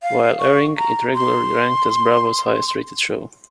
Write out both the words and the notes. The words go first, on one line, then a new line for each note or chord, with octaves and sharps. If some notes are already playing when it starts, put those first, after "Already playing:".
While airing, it regularly ranked as Bravo's highest rated show.
F5
C#6
A#5
C6